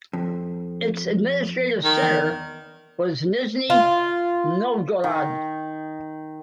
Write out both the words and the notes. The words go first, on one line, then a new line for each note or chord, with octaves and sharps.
Its administrative centre was Nizhny Novgorod.
F2
D#3
E2
F4
D#3